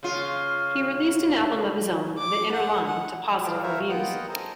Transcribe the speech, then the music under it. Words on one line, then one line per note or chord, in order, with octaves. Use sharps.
He released an album of his own, "The Inner Line", to positive reviews.
C#3 F4
D6
F#5
F#5
G#4 A4 D5 F5 G5
F#4 A#4 C5 C#5 E5 F5
A#3 B3 F4 D#5 F#5 G5
G#4 A4 C5 D#5 A5 A#5